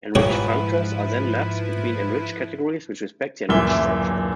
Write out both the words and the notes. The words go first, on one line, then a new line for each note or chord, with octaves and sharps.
Enriched functors are then maps between enriched categories which respect the enriched structure.
G#2 F3 E4 F#4 G4 B4 C#5
D1 F#2 A#2 E3 E5 G7